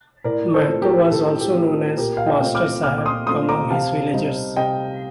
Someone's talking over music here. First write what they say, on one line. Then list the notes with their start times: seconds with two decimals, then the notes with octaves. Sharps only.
Mahto was also known as "Master Saheb" among his villagers.
0.24 A2 A#4 D5
0.54 A4 C5
0.68 A3 C4 F4
0.82 G4 A#4
1.11 A2 A4
1.41 G4
1.55 A3 C4 F4
1.97 A#2 G4 A#4
2.17 F5
2.26 D#5 G5
2.40 A3 C4 F4
2.55 D6 F6
2.83 A#2 D6 F6
2.98 D6
3.06 C6 D#6
3.27 A3 C4 F4 C6 D#6
3.49 A#5 D6
3.70 C3 F5 A5
4.14 G3 C4 D#4
4.56 C3 D#5 G5